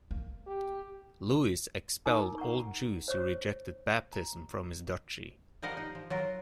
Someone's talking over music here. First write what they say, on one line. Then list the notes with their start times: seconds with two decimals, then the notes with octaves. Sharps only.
Louis expelled all Jews who rejected baptism from his duchy.
0.11 A#3
0.47 G4
2.06 D#4 A#4 G#5 A#5 D6
2.38 F#5 A#5 C#6
3.08 C5 C#5 C#6
4.13 A#5
5.62 F3 G3 A#4 D#5 F5 F#5
5.77 D#4
5.95 F3
6.10 F#3 F4 A#4